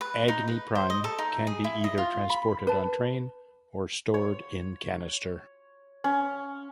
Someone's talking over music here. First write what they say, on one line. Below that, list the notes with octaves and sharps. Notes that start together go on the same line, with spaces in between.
Agni Prime can be either transported on train or stored in canister.
B4
D#4
B4
C5
D#5
A4
D#4
G#4
E4
D#5
F4
B5
B4 A5
C#5
C#4